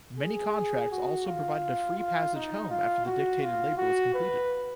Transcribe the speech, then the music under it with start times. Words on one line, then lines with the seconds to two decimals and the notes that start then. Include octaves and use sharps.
Many contracts also provided a free passage home after the dictated labor was completed.
0.18 G#4
0.91 F#4
1.26 F4
1.99 F4
2.35 D#4
2.70 F4
3.06 F#4
3.43 F4
3.77 F#4
4.14 B4